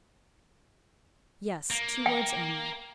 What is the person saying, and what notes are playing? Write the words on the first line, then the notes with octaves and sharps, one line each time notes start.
"Yes; two words only."
A#3
G5